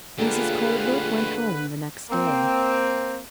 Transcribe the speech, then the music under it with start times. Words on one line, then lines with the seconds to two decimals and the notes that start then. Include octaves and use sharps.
Mrs. Colebrook went home the next day.
0.18 D3 A3 A#3 F4 G4 G#4 B4 F5
2.10 A#3 C4